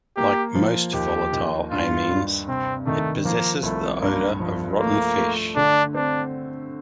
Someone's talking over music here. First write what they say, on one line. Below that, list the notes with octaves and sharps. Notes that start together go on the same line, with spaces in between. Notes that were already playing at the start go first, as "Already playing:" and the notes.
Like most volatile amines, it possesses the odour of rotten fish.
A#3 G4
F3
D#2 G4
D#2
G2 F4
G2
C3 C4
D#3 A3
F3 A#3
C2 A3
G2 A#3
F3
A3 A#3
A3
D3 D4
C4 D4